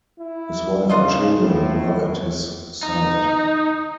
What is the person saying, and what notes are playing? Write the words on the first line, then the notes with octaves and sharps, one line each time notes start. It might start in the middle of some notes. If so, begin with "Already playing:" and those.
His wife and children were at his side.
E4
C#3 D4 F4 D#5
A2
D#4